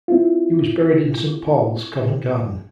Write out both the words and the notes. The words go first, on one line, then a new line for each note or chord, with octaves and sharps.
He was buried in Saint Paul's, Covent Garden.
C4 E4 F4